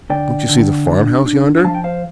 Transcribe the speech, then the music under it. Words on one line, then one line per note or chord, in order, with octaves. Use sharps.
Don't you see the farm-house yonder?
D3 D5 G5
D3
D4
D4
F3 F5 A5
G5
C5 F5